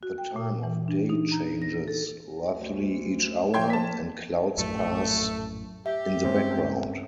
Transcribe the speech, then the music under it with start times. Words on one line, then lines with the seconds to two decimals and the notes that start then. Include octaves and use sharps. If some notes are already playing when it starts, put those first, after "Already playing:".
The time of day changes roughly each hour, and clouds pass in the background.
0.03 F#4
0.18 G5
0.36 A#2
0.63 E3
0.88 D4
1.09 D#4
1.32 A#5
1.62 A#6
1.88 A4
2.55 D2
3.54 F3 G5 C6 G#6
3.70 A5 B6
4.58 A#1 F#2 A2 A3
5.86 G4 E5
6.24 G2 G#3 C4 C#4